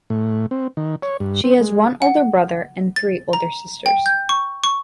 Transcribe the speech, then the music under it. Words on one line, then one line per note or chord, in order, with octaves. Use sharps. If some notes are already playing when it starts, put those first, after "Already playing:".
She has one older brother and three older sisters.
A2
C4
D#3
C#5
G2
C4
G#3
F#5
A6
A#5
G5
G6
C#6
C#6